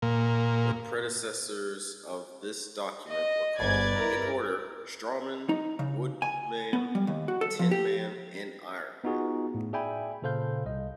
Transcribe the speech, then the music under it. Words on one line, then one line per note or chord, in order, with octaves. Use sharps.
The predecessors of this document were called, in order, "Strawman", "Woodenman", "Tinman" and "Ironman".
A#2
D#5
G1 B4 D5 G#6
E4 A#4
D#4
C#3
G#5
B3
G3
D#2
F#4
A4
F3
G4
B3 D#4 F4 F#4 G#4
A2
G#4 D5 E5 G5 G#5 B5
A#2 C#3 A4 C5 F5 G6
C2 D#5